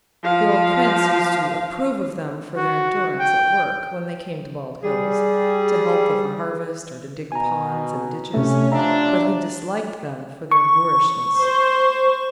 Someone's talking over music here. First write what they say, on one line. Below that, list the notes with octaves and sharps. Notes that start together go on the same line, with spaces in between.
The old prince used to approve of them for their endurance at work when they came to Bald Hills to help with the harvest or to dig ponds, and ditches, but he disliked them for their boorishness.
F3 F5
F#4
G5
G3 G#4
B2 G#5 A#5
C3 A3 C#4
C3 F3 D4 E5 A#5
C#6
C5